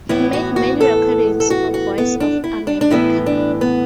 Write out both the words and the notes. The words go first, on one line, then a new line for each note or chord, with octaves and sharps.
He made many recordings for Voice of America.
A2 E3 B3 E4
F#4
F#4
A4
A4
F#4
F#4
B3
D4
E4
D4
D4
A2 E3 B3 E4
D4
B3